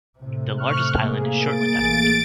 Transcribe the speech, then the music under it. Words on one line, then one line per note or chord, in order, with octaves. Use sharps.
The largest island is Shortland Island.
A2 C3
C#6 F6 F#6
A#3 G#4
A6 D7
A1 A2